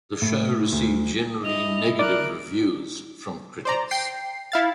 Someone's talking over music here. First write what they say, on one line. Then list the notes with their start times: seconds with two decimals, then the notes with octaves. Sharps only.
The show received generally negative reviews from critics.
0.22 A2
0.72 D2
1.45 E4 D#5 F7
1.99 A#4 D5 F#6 D7
3.65 C5 D5 A#5
3.91 G5 C7
4.52 E4 F5 A6